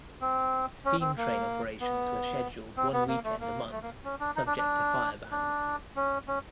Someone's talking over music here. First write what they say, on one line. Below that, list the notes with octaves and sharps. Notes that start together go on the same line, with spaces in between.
Steam train operations were scheduled one weekend a month subject to fire bans.
C4
C#4
C4
A#3
B3
C4
B3
A#3
A3
A#3
A3
A#3
C#4
D4
D#4
D4
D4
D4
C#4
C#4